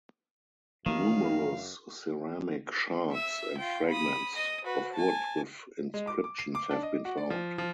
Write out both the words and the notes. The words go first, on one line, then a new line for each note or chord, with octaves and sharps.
Numerous ceramic shards and fragments of wood with inscriptions have been found.
F#2 D#3 E3 A3 D4 F5
E5 E6
F4 G5
B5 D#6
D#5 D#6
F#4 B4
G#5 A5
G#3
D6
D6
C7
D6
D4
D#5
F#4
D5
F3
F3